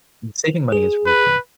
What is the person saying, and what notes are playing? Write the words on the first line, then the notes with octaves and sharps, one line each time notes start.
saving money is really fun.
G#4
B4